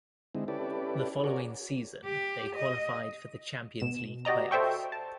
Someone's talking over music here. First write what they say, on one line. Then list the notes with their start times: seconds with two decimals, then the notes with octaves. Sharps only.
The following season, they qualified for the Champions League play-offs.
0.35 D3 G#3 C4 D#4 E4
0.48 C#4 E4 G4 A4 B4 D5
1.24 F#4 G#4 A#4 C#5 D5
2.05 G4
2.56 D#5
3.80 B2 E7
4.25 F#4 G4 D5 D#5 A#5
4.51 A4 C5 E5 G5 C#6
4.92 A5